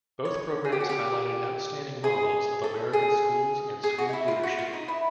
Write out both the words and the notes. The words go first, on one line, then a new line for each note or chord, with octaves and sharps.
Both programs highlighted outstanding models of American schools and school leadership.
C#5
G#4
G4
F#4
G4
G#4
A4
G#4
G#4
F#4
D#4
E4
F4
F#4
F4
D#4
E4